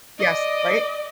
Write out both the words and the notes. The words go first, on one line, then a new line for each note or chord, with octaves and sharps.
Yes, right?
D5 D#5